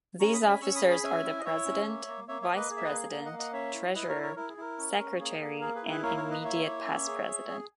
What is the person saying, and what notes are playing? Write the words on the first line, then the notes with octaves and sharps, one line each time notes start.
These officers are the President, Vice President, Treasurer, Secretary, and Immediate Past President.
C#4 A#5 C#6
B5 D#6
C#4
G#5 B5
C#4 C#6 E6
B5 D#6
G#4
G#5 B5
C#4 E5 G#5
E4
D#5
E4 C#5 E5
C#4
A#3
A#3
A#3 C#5 E5
C#5 E5
A#3
B4 D#5
G#4
E5
B4 D#5
A#3
A#3
D#5 F#5
A#3
D#5 F#5
C#4 C#5 E5
E4
E4 B4 D#5
A#4 C#5
E4
A#4 C#5
E4 A#4
G#4
E4 A#4
C#4
C#4
A#3 G#4
A#3
G#4 A#4
G#4 B4
E4
G#4 B4
A#3 A#4 C#5
A#4 C#5
A#3
B4 D#5
E4 C#5 E5
A#3
C#4
G#4
G#4
G#4